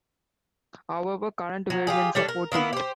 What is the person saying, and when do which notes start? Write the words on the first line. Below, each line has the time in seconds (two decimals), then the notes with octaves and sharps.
However, current variants support it.
1.70 F#3
1.87 F4 G4 G#4
2.15 G3 D4 A4 C#5
2.28 A#4
2.52 D#3 A#3 B3 E4
2.73 G4 C5